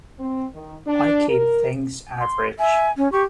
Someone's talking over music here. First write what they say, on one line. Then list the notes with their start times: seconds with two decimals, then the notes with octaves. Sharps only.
I keep things average.
0.19 C4
0.54 D#3
0.87 D4
1.29 A#4
2.20 C6
2.59 E5 G#5
2.97 C#4
3.12 G4 C#6